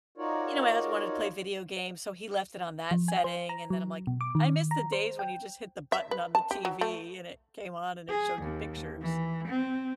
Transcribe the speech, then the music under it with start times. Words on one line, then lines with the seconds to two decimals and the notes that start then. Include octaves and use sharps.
you know, my husband wanted to play video games, so he left it on that setting, and then I'm, like, "I miss the days when you just hit the button on the TV and it came on and it showed you pictures."
0.18 D#4 F4 F#4 A#4 C#5 D5
2.91 F3
3.08 G#5
3.24 C5
3.49 A#5
3.70 F#3
4.07 B2
4.21 D6
4.35 D#3
4.71 A#5
4.92 C5
5.19 G5
5.92 E5
6.11 B4
6.35 A5
6.51 G4
6.65 F#3
6.81 A3
8.09 G#4
8.42 D#2
9.01 E3
9.48 C4